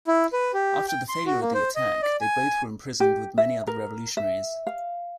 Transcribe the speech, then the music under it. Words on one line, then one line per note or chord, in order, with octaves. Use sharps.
After the failure of the attack, they both were imprisoned with many other revolutionaries.
E4
B4
G4
G5
C6
F#4
A#3
C5
D#5
D5
G#5
G4
E5
A#4
E5
F5